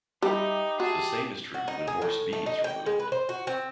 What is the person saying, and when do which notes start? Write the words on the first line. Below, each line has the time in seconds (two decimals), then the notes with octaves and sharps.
The same is true when horse B is removed.
0.22 G3 D#4 G4 B4 E5
0.80 F#4 G#4 A5
1.54 F#4
1.68 D#4
1.87 G#4
2.02 A2
2.33 A3
2.46 D#4
2.64 G5
2.86 G#3
3.00 B4
3.12 C5
3.29 F#4
3.47 C4